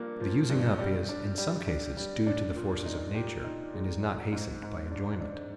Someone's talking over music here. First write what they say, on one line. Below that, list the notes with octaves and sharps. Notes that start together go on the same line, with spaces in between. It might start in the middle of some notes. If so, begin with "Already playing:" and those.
The using up is, in some cases, due to the forces of nature, and is not hastened by enjoyment.
Already playing: G2 F3 A#3
F3
G2
G3
D4
G3
D4
G3
D4
A#2
D#4
G4
D#4
G#3
G4
G#2
G#2
D4
D4